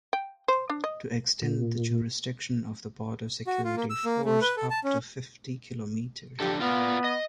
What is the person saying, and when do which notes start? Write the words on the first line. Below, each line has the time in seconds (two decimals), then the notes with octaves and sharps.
To extend the jurisdiction of the Border Security force up to fifty kilometres.
0.13 G5
0.48 C5
0.70 D4
0.84 D#5
1.42 A#2
3.47 F#4
3.64 F4
3.77 A#3
3.90 E6
4.05 A#3
4.25 A3
4.41 B4
4.57 A4
4.70 A5
4.84 C#4
6.40 F3 D4 G4 A4
6.60 B3 F4 D5 F5
7.04 D#5